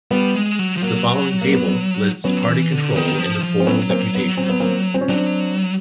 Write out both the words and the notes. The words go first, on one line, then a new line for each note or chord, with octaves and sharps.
The following table lists party control in the foral deputations.
G3 B3
G#3
F#3
F3
F#3 A#3
A#3
B3
F#3 B3 C#4
E3
D3
D#3 B3
F3
F3
C4
F#3 B3 C#4
A#3 C4
B3
C4
B3
A#3 C4
C4
C#4
F#3 C4 D4